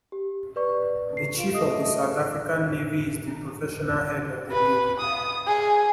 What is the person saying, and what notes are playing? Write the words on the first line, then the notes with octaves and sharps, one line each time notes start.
The Chief of the South African Navy is the professional head of the Navy.
G4
B4 D5 C#6
C7
F4 D7 E7
A3 D#5 D#6
B4
D#6
G#4